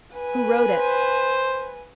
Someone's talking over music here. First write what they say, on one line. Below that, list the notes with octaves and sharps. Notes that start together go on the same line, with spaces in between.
"Who wrote it?"
B4 G#5
C5